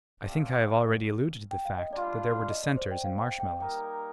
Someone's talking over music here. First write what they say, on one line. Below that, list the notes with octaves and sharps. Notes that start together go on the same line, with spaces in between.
I think I have already alluded to the fact that there were Dissenters in Marshmallows.
A3 C4 G4 D5 F5
G5
F5
D#5
G3 D4 F4 D5
D#5
D5
C5
G5
F5
G5
G5
G3 A#3 D#4 A#4 G5